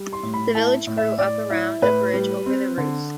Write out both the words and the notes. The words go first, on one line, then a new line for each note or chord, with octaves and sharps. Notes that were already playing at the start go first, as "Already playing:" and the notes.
The village grew up around a bridge over the Reuss.
Already playing: G3
C6
A2
B5
E4 A5
A2
E5
A2 D5
E4
A2 B4
G3
C4
D3